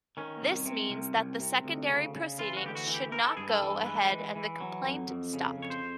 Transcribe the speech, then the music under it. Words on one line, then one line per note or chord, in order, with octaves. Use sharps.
This means that the secondary proceedings should not go ahead and the complaint stopped.
D#3 C#4
C2
C3
C2
C2
C3
D2
C#3
C#3
E3 F4
F#4
D2 G4
F#4
E3
G4
E3 A#4
A4
G2 G#4
A4
E3
G#3 B4
E3
E3
F#3
F2
F2
C#3
F2 C#5
C5